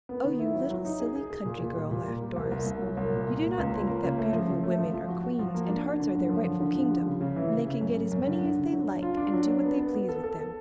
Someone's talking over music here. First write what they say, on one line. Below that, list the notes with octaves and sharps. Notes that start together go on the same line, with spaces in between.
"Oh, you little silly country girl," laughed Doris, "you do not think that beautiful women are queens, and hearts are their rightful kingdom, and they can get as many as they like, and do what they please with them."
B3
D#3
E4
F#3
F#3
D#4
G#4
G#4
G#4
A#2
A#2
G3
A#2
A#3
G3
C2
C2
C2
F#3
C2
A#2
A#3
A#3
C#2
C#2
A#3
C#3
A3
F3
C#3
A3
F3
F3
F#4
F#4
F3
A#3
D4
F#4
D3
F#2
F3
D3
D3
F3
G3
C#3
C#3
E3
C#3
C#3
F#2
F#2
F#2
D3
D3
D3
F#3
D4
F4
D4
F#3
D4
B3
B3
B3
A4
A4
A4